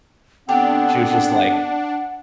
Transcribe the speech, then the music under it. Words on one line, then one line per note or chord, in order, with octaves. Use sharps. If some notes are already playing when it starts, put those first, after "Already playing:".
She was just, like
D3 B3 C4 D4 G4 F#5